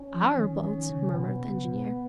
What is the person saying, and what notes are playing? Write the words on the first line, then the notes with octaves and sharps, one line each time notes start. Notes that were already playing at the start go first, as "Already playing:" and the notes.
"Our boat?" murmured the engineer.
Already playing: C#4
F3
D#3
D#3
D#3
C#3
B2 B3
C#3
B2